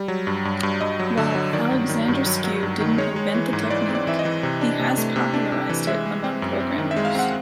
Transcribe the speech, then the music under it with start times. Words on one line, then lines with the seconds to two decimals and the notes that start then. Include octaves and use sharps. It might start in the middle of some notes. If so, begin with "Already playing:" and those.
While Alexandrescu didn't invent the technique, he has popularized it among programmers.
Already playing: G3
0.08 F#3
0.27 G2
0.45 G2
0.63 G2
0.81 G2 D#5
0.99 F#3
1.17 D3
1.35 F#3
1.53 D#3 D5
1.71 G2
1.89 D#3
2.08 G2
2.26 F#3
2.44 F#3
2.63 G2
2.80 D#3
2.98 G#3 C#5
3.16 G#3
3.34 E3
3.53 G#2
3.70 E3 D5
3.89 C4
3.95 D5
4.07 E3 E5
4.19 D#5
4.25 E3
4.43 C3
4.61 D4
4.79 C3
4.98 A3
5.16 C3
5.34 D4
5.52 C3
5.69 E3
5.87 G#3 E5
6.06 G#3
6.24 C4
6.42 F#2
6.60 C4
6.78 D#3
6.91 E5
6.96 G#3
7.05 F5
7.15 C4 F#5